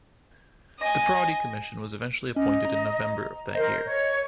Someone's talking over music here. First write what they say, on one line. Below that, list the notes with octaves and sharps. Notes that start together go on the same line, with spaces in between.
The Prodi Commission was eventually appointed in November of that year.
D#5 G#5
C#4 D#5
A#5
A#4 C5 D#5
C#5